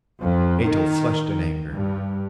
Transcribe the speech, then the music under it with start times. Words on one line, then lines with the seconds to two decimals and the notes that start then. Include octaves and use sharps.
Ato flushed in anger.
0.22 F2
0.63 D#3
1.70 G2